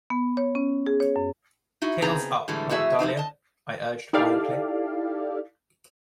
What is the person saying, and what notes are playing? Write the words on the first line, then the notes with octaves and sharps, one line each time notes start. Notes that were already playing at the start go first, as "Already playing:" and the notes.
"Tails up, Aunt Dahlia," I urged buoyantly.
B3
C#5
C#4
G#4
C#5
F#2
D#4 E4 F#4
C#3 B3 C4 D#4 G#4 A#5
A2 D3 E3 G3 G#3
F2 A2 F#4 G#4 E5
F2 C#3 D#4 C5
D#5 A5
D#4 E4 G4 A4 D5 F5